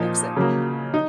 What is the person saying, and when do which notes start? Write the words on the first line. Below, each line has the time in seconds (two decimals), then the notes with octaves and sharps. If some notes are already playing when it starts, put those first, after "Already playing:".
fix it."
Already playing: A#2 F3 A#3 D#4
0.36 C#3 F#3 A#3
0.94 D#4